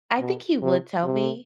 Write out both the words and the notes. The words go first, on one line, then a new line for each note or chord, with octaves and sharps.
I think he would tell me.
B2
C3
C3